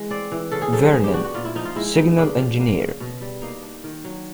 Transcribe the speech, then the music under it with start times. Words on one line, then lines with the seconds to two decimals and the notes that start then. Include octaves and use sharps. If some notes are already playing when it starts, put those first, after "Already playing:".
Vernon, Signal Engineer.
Already playing: E3 G#3
0.11 C4 D5
0.32 E3
0.52 C#3 A4
0.62 G#4
0.73 F#3 A4
0.82 G#4
0.93 B3 G#4
1.04 G4
1.14 D4 F#4
1.24 F#4
1.34 A#2 F4
1.45 E4
1.55 F3 D#4
1.65 F4
1.76 G#3 E4
1.97 B3 D#4
2.17 C#3 D4
2.38 F3
2.60 A#3
2.80 C#3
3.00 B2
3.21 G3
3.42 A#3 D#4
3.62 D4
3.84 D#3
4.04 F#3